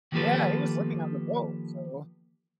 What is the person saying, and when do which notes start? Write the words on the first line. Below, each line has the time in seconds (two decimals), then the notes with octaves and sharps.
Yeah, he was living on the boat, so.
0.12 D#3 F3 A#3 G4 A4 B4